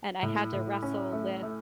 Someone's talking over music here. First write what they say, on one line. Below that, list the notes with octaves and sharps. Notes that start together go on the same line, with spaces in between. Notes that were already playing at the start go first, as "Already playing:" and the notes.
and I had to wrestle with
A2
A2
C#4
A3
A3